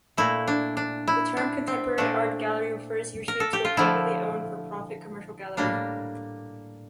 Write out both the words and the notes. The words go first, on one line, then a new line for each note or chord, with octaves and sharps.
The term contemporary art gallery refers usually to a privately owned for-profit commercial gallery.
A#2 A3 E4
D4
D4
E4
D4
C4
A#2 A3 D4
A#4
A4
G4
F4
D3 F3 A3 E4
A2 G3 A#3 D4